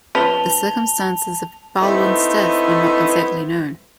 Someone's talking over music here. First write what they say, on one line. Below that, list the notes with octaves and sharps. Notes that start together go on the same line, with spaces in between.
The circumstances of Baldwin's death are not exactly known.
F3 C#4 B4 A5 F7 G7
A3 B3 C4 D#4 E4